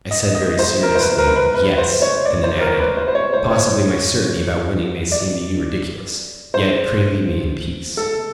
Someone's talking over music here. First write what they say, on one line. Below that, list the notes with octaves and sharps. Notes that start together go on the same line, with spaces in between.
I said very seriously, "Yes," and then added: "Possibly my certainty about winning may seem to you ridiculous; yet, pray leave me in peace."
D#5
D#5
C5
A#4
C5
B4
A#4
B4
B4
C5
C#5
D5
C5
A#4
B4
C5
C5
C#5
C5
C#5
D5
C5
A4